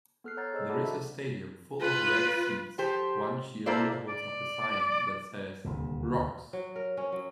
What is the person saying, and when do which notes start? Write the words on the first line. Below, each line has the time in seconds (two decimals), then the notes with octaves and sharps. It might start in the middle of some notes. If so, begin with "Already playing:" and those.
There is a stadium full of red seats, one cheerleader holds up a sign that says ROCKS.
0.24 B3 A4 F6 F#6 C7
0.37 C#5 F#5 A#5 G6 A6
0.53 G#4 C5 D#5 A#5 E6
0.69 A4 D5 F#5 A5 B5 D6
0.82 F#4 A4 E5
1.81 F4 B4
2.78 F3 G4 C5
3.66 A#3 E4 F4 A4 C5 D5
4.09 D5
5.65 D#1 D2 C3
6.53 F#3
6.76 A#4
6.97 C#4
7.12 F#3